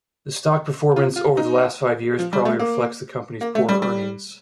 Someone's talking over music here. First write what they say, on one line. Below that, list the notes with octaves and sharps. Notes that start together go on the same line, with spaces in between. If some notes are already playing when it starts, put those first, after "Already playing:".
The stock performance over the last five years probably reflects the company's poor earnings.
F4
F4
D#4
F3
G3
A3
A#3
A#3
A3
G3
G3